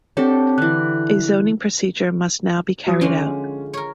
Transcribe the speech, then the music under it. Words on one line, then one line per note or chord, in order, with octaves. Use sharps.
A zoning procedure must now be carried out.
C4 D4 G4 A4 C#5
D3 E3 F#6
F#3 D#6
D3 F3 G#3 C#4
A#4 C#5